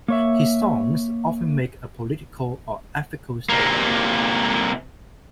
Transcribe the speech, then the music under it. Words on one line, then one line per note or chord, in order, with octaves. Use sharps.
His songs often make a political or ethical statement.
A#3 C#5 E5
C3 A#3